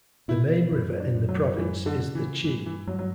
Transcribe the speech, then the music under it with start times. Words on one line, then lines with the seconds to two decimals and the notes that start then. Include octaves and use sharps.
The main river in the province is the Chi.
0.28 B2 E4
0.71 F#2 E4
1.00 D4
1.15 F#2
1.29 F#3
1.58 F#2 E3
1.86 D3
2.01 C#3
2.15 E3
2.44 G2 E3
2.66 E3
2.87 G2 F#3
2.99 F#3